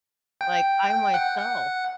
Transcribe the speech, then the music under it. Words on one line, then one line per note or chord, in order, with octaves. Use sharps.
Like, I myself
G5
G5
F#5
F#5